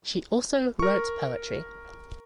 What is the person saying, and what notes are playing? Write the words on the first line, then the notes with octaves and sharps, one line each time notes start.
She also wrote poetry.
A#4 C#6